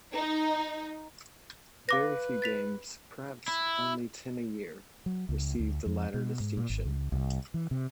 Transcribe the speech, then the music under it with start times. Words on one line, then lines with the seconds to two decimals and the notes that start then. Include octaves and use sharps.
Very few games, perhaps only ten a year, received the latter distinction.
0.13 D#4
1.89 B4 F5 D6 A#6
2.42 A6 B6 F7
3.48 E4
5.06 F#3
5.29 C#2
5.60 D2
5.86 F2
6.14 B2
6.40 G#2
6.57 A#2
6.70 G#1
6.85 C#2
7.12 C2
7.54 E3
7.71 C3